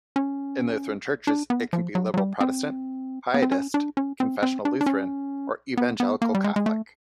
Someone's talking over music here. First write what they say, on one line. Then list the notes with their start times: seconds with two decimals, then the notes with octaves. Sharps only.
In Lutheran churches it can be liberal Protestant, pietist, confessional Lutheran, or evangelical Catholic.
0.16 C#4
1.27 D4
1.50 B3
1.73 F3
1.95 F#3
2.14 F#3
2.17 G3
2.41 C4
3.34 B3
3.42 C4
3.52 C#4
3.74 D4
3.97 C#4
4.20 C4
4.43 C4
4.65 D4
4.81 D4
4.86 C#4
5.77 B3
6.00 B3
6.22 A#3
6.35 G3
6.44 G#3
6.56 G#3
6.66 A3